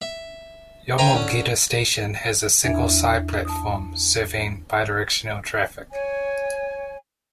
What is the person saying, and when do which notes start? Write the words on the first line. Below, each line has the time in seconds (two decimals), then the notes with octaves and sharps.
Yomogita Station has a single side platform serving bidirectional traffic.
0.02 E5
0.98 A#4 C5 E5 G5 G#5 A#5
1.13 D3 C#4
2.64 E2 D4 E5 G#6
3.45 A5 D#6
5.93 C#5 G#5